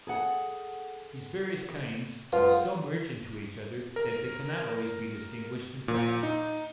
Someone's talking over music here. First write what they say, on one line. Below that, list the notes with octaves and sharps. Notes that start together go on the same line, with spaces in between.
These various kinds so merge into each other that they cannot always be distinguished in practice.
G#4 A4 F#5
F#2 G#3 F4 B4 F#5
A#4
A#2
D#4